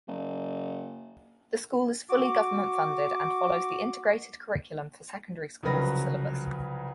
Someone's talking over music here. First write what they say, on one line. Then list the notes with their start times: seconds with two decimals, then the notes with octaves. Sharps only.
The school is fully government-funded and follows the Integrated Curriculum for Secondary Schools syllabus.
0.08 F#1
2.09 F#4 D6
5.63 C2 C#3 F3 F#3 B4 A#6